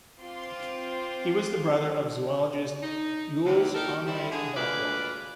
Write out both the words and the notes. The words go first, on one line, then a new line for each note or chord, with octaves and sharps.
He was the brother of zoologist Jules Henri Barrois.
C4 F4 C6 D6
D#4
D#2 C3
D#4 G4 A4 A#4
G3 C4 E4
D3 G#4
D2 A#2 G#3 B4 D5 F5